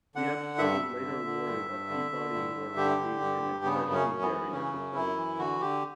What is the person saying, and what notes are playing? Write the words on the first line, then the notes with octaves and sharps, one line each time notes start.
The episode was later awarded a Peabody Award for being "an especially daring episode".
D3 F#5
D3
G2 E5
G2
D3
D3
G2
G2
D3
D3
G2
G2
D3 G4
D3
G2
G2
C#3 B3
F#2
C#4
F#2
B3
E3
C#3 C#4
F#2
F#2 E4
E3
D3 F#4
D3 G4